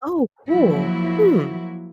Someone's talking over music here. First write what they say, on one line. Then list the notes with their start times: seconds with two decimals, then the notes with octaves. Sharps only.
Oh, cool. Hmm.
0.49 F3 F#3 A#3 E4 F#4